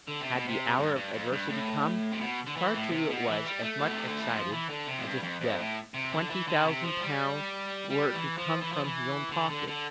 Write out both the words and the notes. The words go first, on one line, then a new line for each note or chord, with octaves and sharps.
Had the hour of adversity come? Passepartout was as much excited as if the twenty thousand pounds were to come from his own pocket.
D3
C3
B2
C3
G2
G2
F2
G2
A2
C3
B2
D3
E3
A2
C3
B2
E3
G3
A3
B2
C3
D3
E3
F3
E3
D3
C3
F2
G2
F2
F2
A2
C3
D3
E3
D3
C3
F3
G3
G3
E3
F3
E3
F3
E3
D3
D3
D3